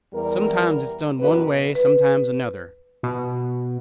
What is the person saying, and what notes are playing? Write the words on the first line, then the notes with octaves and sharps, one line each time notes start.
Sometimes it's done one way, sometimes another.
E2 G3 A#4
F#2 B2 D#3 B4
B4
B2